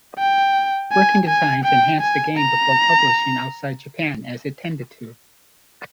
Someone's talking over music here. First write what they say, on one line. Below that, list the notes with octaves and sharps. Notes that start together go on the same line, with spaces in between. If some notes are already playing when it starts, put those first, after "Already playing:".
Working Designs enhanced the game before publishing it outside Japan, as it tended to.
G5
G#5
G#5
G5
G#5
A#5